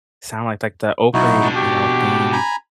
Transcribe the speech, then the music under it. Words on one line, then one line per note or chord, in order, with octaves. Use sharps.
sound like? Like, the opening, you know, theme
B1 D#4 E4 F#4
B2 D4
F#4 G4
G#5 A#5 B5